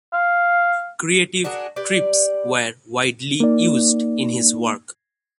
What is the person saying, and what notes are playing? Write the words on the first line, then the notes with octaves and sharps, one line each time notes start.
Creative trips were widely used in his work.
F5
D4 F#4 G#4 A#4
G4 B4 D5
A#3 D#4 D5